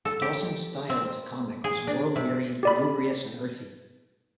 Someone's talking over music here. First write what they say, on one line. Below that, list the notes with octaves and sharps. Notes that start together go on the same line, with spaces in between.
Dawson's style as a comic was world-weary, lugubrious and earthy.
A4
G4
C4
G#4
D4
C3
G4 D5 B5